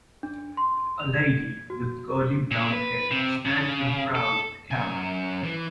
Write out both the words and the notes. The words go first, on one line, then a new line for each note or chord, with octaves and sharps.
A lady with curly brown hair stands in a crowd with a camera.
D4
C6
F7
G#6
F#4
A#2
B4
C3
C#3
A4
F#2 G#5
E3